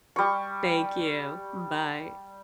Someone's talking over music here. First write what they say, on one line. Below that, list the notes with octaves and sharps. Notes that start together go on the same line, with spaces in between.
Thank you, bye.
G3 C#6